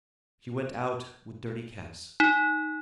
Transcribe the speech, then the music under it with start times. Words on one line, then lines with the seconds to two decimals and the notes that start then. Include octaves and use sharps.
She went out, with dirty caps.
2.20 D#4